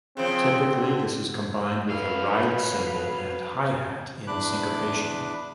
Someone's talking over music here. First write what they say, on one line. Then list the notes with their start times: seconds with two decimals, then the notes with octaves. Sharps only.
Typically, this is combined with a ride cymbal and hi-hat in syncopation.
0.17 C#3 F3 C4
0.72 D3
1.89 F#3 B4 F5
4.27 E2 D4 B5 D6 F#6